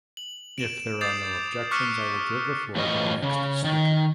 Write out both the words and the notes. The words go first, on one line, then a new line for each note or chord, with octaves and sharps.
If there are no objections, I will give the floor to the next speaker.
F#7
D7 E7 F#7
D6 D#6 G6 A6 C7 F7
C#6 D6 F6 F#6 B6 C#7
A2 E3 F3 C#4 G#4 D#5
C#3
D#3